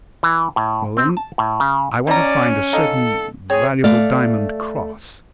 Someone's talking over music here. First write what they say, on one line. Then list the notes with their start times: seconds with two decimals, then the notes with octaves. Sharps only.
"Well then, I want to find a certain valuable diamond cross."
0.23 E3
0.56 A2
0.97 C4
1.17 A5
1.38 A2
1.60 C#3
2.07 B2 C#4 D5 A#5
2.73 D#4 A4 F5
3.50 C4 G#4 C#5
3.84 A3 D5 F5